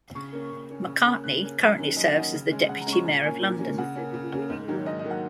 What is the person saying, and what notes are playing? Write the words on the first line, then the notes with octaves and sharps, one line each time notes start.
McCartney currently serves as the Deputy Mayor of London.
C#3 C#6
A#3 C#4
C#3
A#3 C#4
C#3
A#3 C#4
C#3 F#6
A#3 C#4
F#2
D#3 A#3 C#4
F#2 D#5
F#5
D#3 A#3 C#4 D#5
C#3
G#3 C#4
C#3 F#5
A#5
G#3 C#4
C#6
A#2 A#5
A#3 C#4 G#5
A#2
A#3 C#4
C#3 F#5
A#3 C#4
C#3
A#3 C#4
G#2
D#3 F#3 A#3
G#2 D#5
D#5
D#3 F#3 A#3
F#5